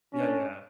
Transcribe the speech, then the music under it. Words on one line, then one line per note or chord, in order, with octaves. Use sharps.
yeah yeah
C#4 D4